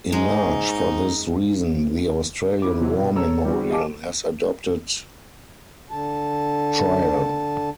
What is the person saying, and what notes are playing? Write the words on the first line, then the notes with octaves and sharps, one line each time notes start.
In large, for this reason, the Australian War Memorial has adopted "Trail".
G#2 G#3 D#4
F2 E4 D6
C3 E3 F#3
B2
A4 C#5 A5 A#5 E6
D3 G3 C4 E4 F#4
D#5 F5 G#5 A5 D6
D3 A5